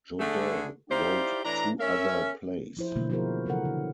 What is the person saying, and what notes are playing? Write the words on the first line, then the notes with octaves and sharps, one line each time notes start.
Jodelle wrote two other plays.
D3 A3 G#4
D#4 E4 G4 C5 D5 F5
A2 E3 D4 E4 A#5
C#4 A#4 E5
F3 E4 C5
B2 D3 E3 F#3 A3 A#3
F3 E4 F#4 G#4 A#4 C5
C#3 E3 F#3 A4 A#4 F#5
D3